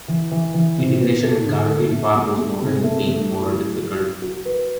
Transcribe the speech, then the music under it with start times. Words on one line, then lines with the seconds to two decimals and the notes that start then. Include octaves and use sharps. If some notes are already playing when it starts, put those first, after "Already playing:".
Integration at Garfield Park was noted as being more difficult.
0.08 E3
0.31 E3
0.54 E3
0.78 C3
1.00 B3
1.23 A4
1.46 D3
1.70 A4
1.92 A3
2.16 A3
2.38 A3
2.62 C3
2.84 A3
3.07 A3
3.30 E4
3.53 F#3
3.76 F#3
3.99 F#4
4.22 F#4
4.45 B4